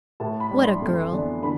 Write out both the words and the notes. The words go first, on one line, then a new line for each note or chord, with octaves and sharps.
What a girl!
A2 A5
B5
G3 D4
C6
F2
E3 B3 D4
D3 B5